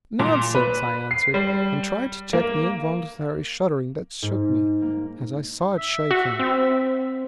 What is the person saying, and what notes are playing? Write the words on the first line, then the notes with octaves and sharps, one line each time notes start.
"Nonsense," I answered, and tried to check the involuntary shuddering that shook me, as I saw it shake him.
A#2
B4
C7
G3
A#3
G#2
A#3
E5
F#4
C4